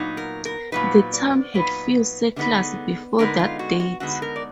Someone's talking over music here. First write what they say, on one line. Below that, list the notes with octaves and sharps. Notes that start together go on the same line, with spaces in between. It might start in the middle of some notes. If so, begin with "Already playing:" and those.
The town had few settlers before that date.
Already playing: A#2 F#3 B3 D#4
A#4
A#4
A#2 F#3 B3 D#4 B4
D5
A#2 F#3 B3 D#4 B4
D3 G#3 B3 D#4
D3 G#3 B3 D#4 A#4
F4
F#4
F#4
D3 G#3 B3 D#4 F#4
A#4
D5